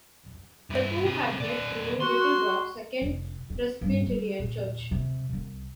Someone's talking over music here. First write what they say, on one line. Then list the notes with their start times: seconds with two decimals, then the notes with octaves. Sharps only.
The two had met through Little Rock's Second Presbyterian Church.
0.70 G2 E4
1.05 C3 G#4
1.40 D#3 D5
2.00 F#4 C6
3.02 F1
3.50 C4
3.81 G2
4.07 G3
4.39 A#2
4.91 C3
5.33 C2